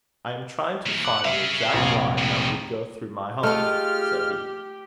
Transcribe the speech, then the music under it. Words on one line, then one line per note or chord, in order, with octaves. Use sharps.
"I am trying to find the exact line that would go through my home," said he.
E3 A#3
F#5 D6
G#4 E5 F5
F1 A#1
A#2 C#3
G#3 A3 F4 G4 F6